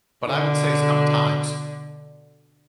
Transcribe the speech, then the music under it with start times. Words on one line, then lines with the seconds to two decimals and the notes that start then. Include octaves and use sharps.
but I would say sometimes
0.26 B2 D3